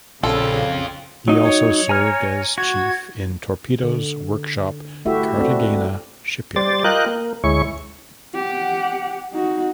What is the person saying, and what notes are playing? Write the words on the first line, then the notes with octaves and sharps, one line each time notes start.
He also served as chief in Torpedoes Workshop Cartagena Shipyard.
A#1 C#3 C4 F4 A4
F#3 D#4
C#5
G#5 A#5 F6
F#4 G#6
D3
A3 E4 F#4 G4 E5
A3 C4 D4 F#4
G3 C5 D5 A6
F4 A#4 D#5 G5 F#6
A#3
D2 G#3 E4 C#5 C#6
G4 F#5
D#4 F#4